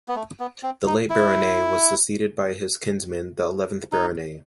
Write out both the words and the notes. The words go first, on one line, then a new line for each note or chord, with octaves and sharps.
The late Baronet was succeeded by his kinsman, the eleventh Baronet.
B3
A3
B3
C4
D#4
E4
D#4